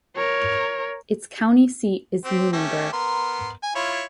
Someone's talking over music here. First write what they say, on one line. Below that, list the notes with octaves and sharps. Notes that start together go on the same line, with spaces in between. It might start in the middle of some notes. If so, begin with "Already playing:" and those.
Its county seat is Lunenburg.
A#4 C#5
C4 G4
A3 C#4 G4
B3 A#4 C6
G#5
E4 F4 C#5